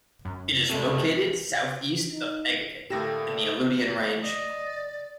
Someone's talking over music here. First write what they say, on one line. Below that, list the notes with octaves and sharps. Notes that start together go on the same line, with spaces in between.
It is located south-east of Egegik, in the Aleutian Range.
F#2
C3 G#3 A3
D#4
A2 D3 A3 A#3 G4 A4 A#6 E7
D5 D#5